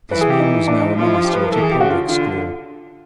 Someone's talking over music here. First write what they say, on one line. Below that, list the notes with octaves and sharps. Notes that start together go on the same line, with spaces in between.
This man was now a master at a public school.
E3 B4
G#4
G4
D#4
D4
D#4
F3 F4
E4
F4
G4
B4
A#4
E3 A4
G#4
G4
C#3 F#4
F4
D3 F4